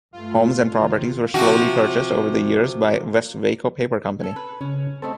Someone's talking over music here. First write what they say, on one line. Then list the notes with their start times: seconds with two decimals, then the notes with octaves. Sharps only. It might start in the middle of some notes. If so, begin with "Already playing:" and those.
Homes and properties were slowly purchased over the years by Westvaco paper company.
0.13 G2 A3 F4
0.76 C#2 D#3
1.34 C3 F3 F#4
4.20 C#4 A4
4.36 B4
4.61 C#3 C#4
5.02 G3 A3 C4 A4 D#5